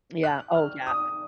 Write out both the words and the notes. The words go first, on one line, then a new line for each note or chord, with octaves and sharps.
Yeah oh, yeah.
F#6
F6
D#6